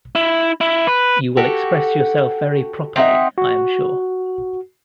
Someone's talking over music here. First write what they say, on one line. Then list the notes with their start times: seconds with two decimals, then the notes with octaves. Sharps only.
You will express yourself very properly, I am sure.
0.15 E4
0.61 E4
0.87 B4
1.37 F#4 G4 A4
2.96 C4 D#4 E5 F#5
3.38 F#4